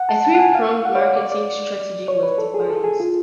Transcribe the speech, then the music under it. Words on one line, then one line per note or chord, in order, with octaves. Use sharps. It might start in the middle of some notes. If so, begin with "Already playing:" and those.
A three-pronged marketing strategy was devised.
Already playing: F#5
A5
A5
F#5
G#5
F5
F#5
C#5
D5
D5
D5
C#5
B4
A4
G#4
A4
G#4
F4